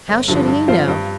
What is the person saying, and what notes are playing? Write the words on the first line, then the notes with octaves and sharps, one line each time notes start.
'How should he know?
G1
G2 D3 F3 D4
G2
F3 C4 F4 C5
G2